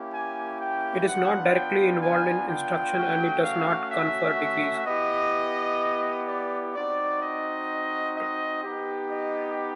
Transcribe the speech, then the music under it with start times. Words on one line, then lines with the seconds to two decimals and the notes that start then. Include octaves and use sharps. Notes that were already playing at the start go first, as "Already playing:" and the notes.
It is not directly involved in instruction and it does not confer degrees.
Already playing: A#3 C#4 E4 G4
0.12 G#5
0.60 G5
1.07 B3 D4 F4 F#5
1.54 G5
2.02 G#5
2.49 G5
2.96 A3 C#4 F#4
3.44 F5
3.91 E5
4.86 B3 E4 G4 D#5
6.27 D5
6.75 C4 D#4 F#4 D5
7.22 D#5
8.16 D#5
8.63 B3 D#4 G4
9.11 D#5